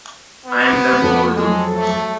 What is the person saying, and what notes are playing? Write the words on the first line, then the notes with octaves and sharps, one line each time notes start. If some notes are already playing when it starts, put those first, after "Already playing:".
I am learning Urdu.
B3
F2 F3
F#3 G#3 A4
A3